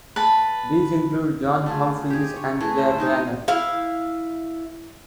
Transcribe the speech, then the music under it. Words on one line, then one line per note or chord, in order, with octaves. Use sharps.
These include John Humphrys and Claire Rayner.
B4 A5
A3 F4 G#4
G4 G#4
C#5
E3 A3 G#4
C5
G3 D#4 D#5
E4 F5